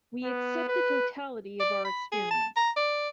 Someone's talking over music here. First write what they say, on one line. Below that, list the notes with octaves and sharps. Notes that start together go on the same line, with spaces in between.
We accept the totality of our experience.
B3
B4
D5
B5
G#4
A5
A#5
D5